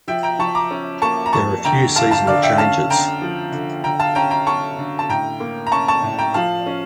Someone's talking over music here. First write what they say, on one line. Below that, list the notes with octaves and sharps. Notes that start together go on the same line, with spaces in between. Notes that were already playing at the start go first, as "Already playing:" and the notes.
There are few seasonal changes.
F3 E5 G5
G5 A#5
F3 A5 C#6
A#5 D6
C#4
A#3 A5 C#6
A#5
F2 A5 C#6
D3 G5 A#5
F2 F5 A5
F5 A5
D3 D5 F5
E5 G5
C#4 F5 A5
D3 G5 A#5
F3
D3
D3 G5 A#5
F5 A5
C#4 G5 A#5
G5 A#5
C#4 A5 C#6
D3
A5
A2 G5 A#5
A#3
A#5
C#4 A5 C#6
A5 C#6
A2
G5 A#5
F3 F5 A5
C#4